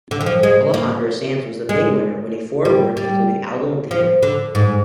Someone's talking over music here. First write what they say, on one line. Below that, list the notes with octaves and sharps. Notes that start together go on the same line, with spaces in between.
Alejandro Sanz was the big winner winning four awards including Album of the Year.
D3
D#3
F3
G#3
A#3
G#3
G3
G3
F3
D3
G#2